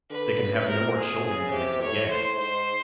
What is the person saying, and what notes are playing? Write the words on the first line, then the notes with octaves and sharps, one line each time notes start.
They can have no more children than they can get.
D3 B4
C#3
C3 A#4
C3 G#4
C#3 G#4
C3 G4
A2 C#5
A2 C5
G#2 C5